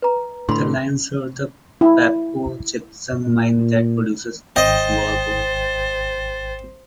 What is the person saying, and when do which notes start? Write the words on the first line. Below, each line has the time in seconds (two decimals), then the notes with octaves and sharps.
The line serves the Pabco Gypsum Mine that produces wallboard.
0.02 B4 A#5
0.49 A2 D3 B5 C6
1.81 E4
3.27 A#2
4.56 G#1 C5 D#5 G5 A6